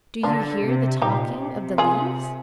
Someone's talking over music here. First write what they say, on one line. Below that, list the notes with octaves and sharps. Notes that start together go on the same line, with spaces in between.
Do you hear the talking of the leaves?...
D3 D4 F4
C3
A#2 D#4 G4
C3
F4 G#4